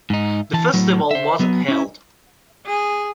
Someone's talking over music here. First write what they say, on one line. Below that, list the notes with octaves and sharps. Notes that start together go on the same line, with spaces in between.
The festival wasn't held.
G#2 D#4
E3 A5
A2 F#3
C5 E5
F#3 B3
C#4 E4
G#4